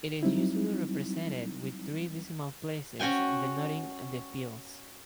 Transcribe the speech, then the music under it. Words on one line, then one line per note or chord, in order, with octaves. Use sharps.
It is usually represented with three decimal places denoting the fils.
F#3 G3 C4 D#4 E4
C#4 F#4 C#5 G5 G#5